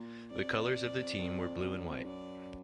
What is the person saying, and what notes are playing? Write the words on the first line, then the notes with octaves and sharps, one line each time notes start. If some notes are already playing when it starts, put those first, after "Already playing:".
The colours of the team were blue and white.
Already playing: A#2
F2 D5
F2
F2
F#2
F2
F#2 D5